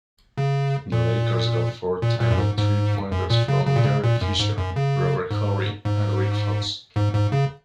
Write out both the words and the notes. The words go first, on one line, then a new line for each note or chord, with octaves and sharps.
The Lakers got four timely three-pointers from Derek Fisher, Robert Horry, and Rick Fox.
C#3
A#2
A#2
A#2
F#2
G#2
G#2
F#2
A#2
C#3
C#3
A#2
C#3
A#2
F#2
G#2
F#2
C#3
G#2
G#2
G#2
G#2
C#3